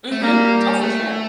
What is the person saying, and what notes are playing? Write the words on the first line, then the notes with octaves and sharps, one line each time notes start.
Mhm. Oh, for sure.
A3
G3 A#3
A3